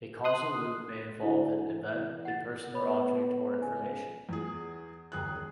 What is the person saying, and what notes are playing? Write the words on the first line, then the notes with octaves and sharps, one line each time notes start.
A causal loop may involve an event, a person or object, or information.
C6 D#6 F#6
D2 E4
E3
F#5 A6
B3 C#5 B5
C#2 G#5
E2 G#4
E1 D#2 G#4 F#6